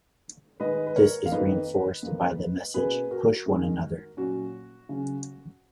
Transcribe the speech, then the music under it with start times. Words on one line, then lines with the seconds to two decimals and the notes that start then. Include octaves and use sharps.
This is reinforced by the message Push One Another!
0.60 D#3 G#3 D#4 B4 D#5
0.87 B4
0.96 A#4 C#5
1.26 F5
1.31 F2 D#3 A#3 D#4 B4 D#5
2.03 F2 F3 A#3
2.74 B2 A#3 C#4 G#4 B4
3.11 F#4 A#4
3.46 F#2 D#3 G#3
4.17 A#2 F#3 C#4 F#4
4.89 C#3 F#3 C#4